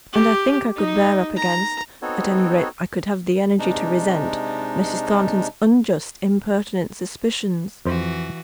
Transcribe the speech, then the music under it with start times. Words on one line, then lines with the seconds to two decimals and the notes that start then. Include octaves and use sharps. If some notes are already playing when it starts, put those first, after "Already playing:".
And I think I could bear up against--at any rate, I could have the energy to resent, Mrs. Thornton's unjust, impertinent suspicions.
0.13 G4
0.77 D#4
1.37 A#5
2.02 B3 C4 D#4 F#4 A4 C#5
3.59 C3 G#3 D4 D#4
7.85 F2 E3 F#4 C5